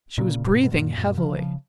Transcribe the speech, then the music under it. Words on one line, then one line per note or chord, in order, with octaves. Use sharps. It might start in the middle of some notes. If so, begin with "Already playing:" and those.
She was breathing heavily.
A#2 C#3
G#2 B2
B2
F#2 A#2
F#2 A#2
C#3 F3
C#3 F3